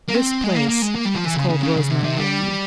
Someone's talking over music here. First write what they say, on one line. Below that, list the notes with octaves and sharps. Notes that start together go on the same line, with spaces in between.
This place is called Rosemary Lane.
A#3
C4
G#3
A#3
A#3
G#3
A#3
G3
F3
E3
C#3
C#3
C#3
C#3
C3
C3
G3